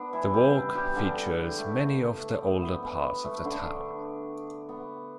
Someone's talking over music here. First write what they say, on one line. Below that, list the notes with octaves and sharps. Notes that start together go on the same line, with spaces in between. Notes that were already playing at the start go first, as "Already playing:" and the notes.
The walk features many of the older parts of the town.
Already playing: B3 D4
E3 E4
G3 G4
G3 G4
D3 D4
A3
A3
B3
B3
B3
A3
D3 D4
B3